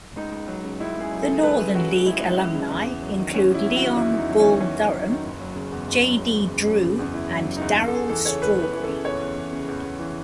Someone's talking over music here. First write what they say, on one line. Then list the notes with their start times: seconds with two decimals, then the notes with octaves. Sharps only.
The Northern League alumni include Leon "Bull" Durham, J. D. Drew, and Darryl Strawberry.
0.16 C#2 D#4
0.32 C#2
0.48 F#3
0.65 C#3
0.80 C#2 E4
0.96 C#2 G#4
1.11 F#3
1.17 G#4
1.22 C#3 A4
1.43 C#2 B4
1.59 C#2
1.75 F#3 F#4
1.91 C#3
2.06 C#2 E4
2.23 C#2
2.38 F#3
2.55 C#3
2.70 E2
2.86 E2
3.02 F#3
3.18 D#3
3.34 E2 C#4
3.50 E2 E4
3.66 F#3
3.76 F#4
3.82 D#3
3.97 E2 E4
4.13 E2 D#4
4.30 F#3
4.40 D#3 C#4
4.60 E2 C#4
4.76 E2
4.93 F#3
5.09 D#3
5.25 F#1
5.41 F#3
5.56 C#3
5.72 E2
5.87 F#1
6.03 F#3
6.19 C#3
6.36 E2
6.51 F#1
6.67 F#3
6.83 C#3
6.99 E2
7.14 F#1 E4
7.30 F#3
7.46 C#3
7.57 E2 D#4
7.78 E2
7.88 A4
7.93 E2 G#4
8.09 E3 A4
8.25 C#3 C#5
8.42 E2 B4
8.57 E2 B4
8.73 E3
8.83 C#3 A4
9.05 E2 C#5
9.20 E2
9.36 E3
9.53 C#3
9.68 E2
9.84 E2
10.00 E3